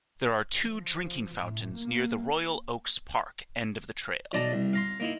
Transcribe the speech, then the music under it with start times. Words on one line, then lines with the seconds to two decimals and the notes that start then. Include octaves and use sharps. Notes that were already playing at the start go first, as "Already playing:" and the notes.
There are two drinking fountains near the Royal Oaks Park end of the trail.
0.62 F3
1.38 A2
1.77 A#3
4.33 B1 D#4 D5 A5 A#5
4.53 C2
4.73 F5 A#5 C6
5.00 A#3 D#4 E4